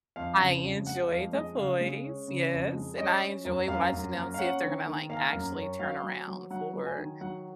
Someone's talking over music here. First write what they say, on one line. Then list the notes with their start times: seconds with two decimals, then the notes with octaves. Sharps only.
I enjoy The Voice, yes, and I enjoy watching them see if they're gonna, like, actually turn around for,
0.16 F2 F5
0.40 C#3
0.63 F2
0.87 G#3 F#5
1.09 F2 F5
1.33 G#3 D#5
1.56 C#3 F5
1.81 G#3
2.04 C#4
2.28 C#3
2.51 F2
2.75 G#3
2.98 C#4 D#5
3.22 C#4
3.45 F#2
3.68 F#2 F5
3.93 F#2
4.16 A#3
4.34 F5
4.39 C#4 F#5
4.63 D#3
4.87 D#3
5.09 A#3 F5
5.33 F#2
5.56 C#4
5.79 F#3 F5
6.03 F#3
6.28 F#3
6.50 F#3 F#5
6.74 F#3
6.86 G#5
6.98 D#3
7.21 F#3 F#5